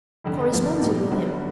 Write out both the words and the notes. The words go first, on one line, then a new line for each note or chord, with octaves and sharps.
"Corresponded with him?"
F1 F2 D3
D2 C3 F3 A#3
A#2 G3 B3 D#4 G4
G1 G2 D3 F#3 B3